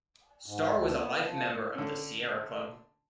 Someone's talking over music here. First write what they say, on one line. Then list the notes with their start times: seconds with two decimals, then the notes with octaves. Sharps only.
Starr was a life member of the Sierra Club.
0.46 G#2
0.72 D2
0.97 B3
1.24 F3
1.75 D3 C#4